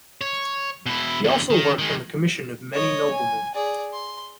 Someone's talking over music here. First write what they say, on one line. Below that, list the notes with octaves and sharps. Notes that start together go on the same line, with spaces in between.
He also worked on the commission of many noblemen.
C#5
B2 E4
E2 D3
D#3
D#3 G#3
C#5 D#5
G#5
G#4 D5
C6